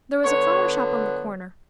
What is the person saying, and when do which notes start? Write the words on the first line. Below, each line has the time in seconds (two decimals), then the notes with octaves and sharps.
There was a flower shop on the corner.
0.24 D3 F#3 B3 C#5